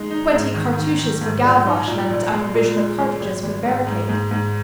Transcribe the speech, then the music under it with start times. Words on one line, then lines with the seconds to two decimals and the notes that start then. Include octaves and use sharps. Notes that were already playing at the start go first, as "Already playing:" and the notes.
Twenty cartouches for Gavroche meant a provision of cartridges for the barricade.
Already playing: G#3 D#4
0.11 D#4
0.33 G#2
0.54 D#3
0.77 D#3
0.99 D#3
1.21 G#2
1.44 A#1
1.66 D#4
1.88 A#2
2.10 A#1
2.32 G#3
2.54 A#2
2.76 G#3
2.99 G#3
3.21 G#1
3.43 G#1
3.65 G#2
3.87 G#2
4.09 G#2
4.31 G#2